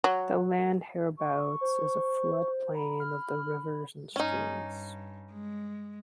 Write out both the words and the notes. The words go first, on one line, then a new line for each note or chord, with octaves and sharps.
The land hereabouts is a floodplain of the rivers and streams.
F#3
C#6
C5
A#5 B5
F6
G2 C#4 D#4
G#3